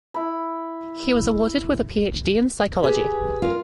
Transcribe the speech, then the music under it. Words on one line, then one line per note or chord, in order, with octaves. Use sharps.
He was awarded with PhD in Psychology.
E4 B5
G4 G#4 B4
F4 A#4